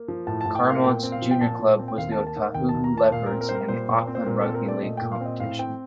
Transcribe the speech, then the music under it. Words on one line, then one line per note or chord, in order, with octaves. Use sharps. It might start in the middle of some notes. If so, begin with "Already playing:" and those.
Carmont's junior club was the Otahuhu Leopards in the Auckland Rugby League competition.
Already playing: A#3
F3
A2 A5
A5
A2
G5
A#3
F5
A#2 G5
C4
F5
F3
G5
A#2 A5
A#2
C4
G5
D#2 F5
A5
A#3
A5
D#3
D#2 G5
A5
D#2
A#5
A#3 A5
A#2 F5
A#4
C4
A#4
G3 C5
A#4
A#2 C5
A#2
C4
C5
A#2 A#4
C4 A4
A#4
A3 D5
A#2 D#5
A#2 G5
F5
C4 D#5
A2 F5
C4 G5